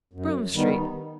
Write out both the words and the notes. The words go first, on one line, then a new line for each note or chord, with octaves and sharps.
Groome Street.
F#2
D#3 G3 B3 D#4